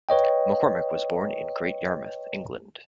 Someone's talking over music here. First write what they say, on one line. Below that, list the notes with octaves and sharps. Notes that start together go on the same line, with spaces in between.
McCormick was born in Great Yarmouth, England.
B4 C#5 D#5 G5